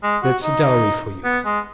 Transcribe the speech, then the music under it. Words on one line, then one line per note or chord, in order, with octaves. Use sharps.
That's a dowry for you.
G#3
F#4
D#4
B3
G#3